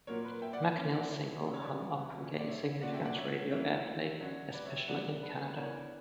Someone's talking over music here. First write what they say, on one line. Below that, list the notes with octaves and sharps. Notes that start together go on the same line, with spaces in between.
McNeil's single "Hung Up" gained significant radio airplay, especially in Canada.
A#2 F#3 A#3 A#4 C#5
B4
A#4
E5 G5
D5 F#5
B4
E3 A#3 C#4 A#4 C#5
D5 F#5
C#5 E5
C#3 F#3 C#4 D5
C#5
B4 D5
A#2 F#3 C#4
D5
C#5 E5
A#2 A#3 C#4 D5 F#5
E5 G5
D5 F#5
C#5 E5
E3 A#3 C#4 C#5 E5
D3 F#3 C#4
B4 D5
C#5 E5
E5 G5
D3 F#3 B3 D4 D5 F#5
B4
B4
E3 B3 D4 A#4 C#5